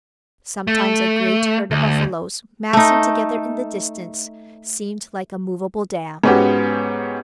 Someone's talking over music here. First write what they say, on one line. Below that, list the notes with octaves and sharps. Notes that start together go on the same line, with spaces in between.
Sometimes a great herd of buffaloes, massing together in the distance, seemed like a moveable dam.
A3
D2
A3 D#4
G#2 B3 C#4 F#4 G4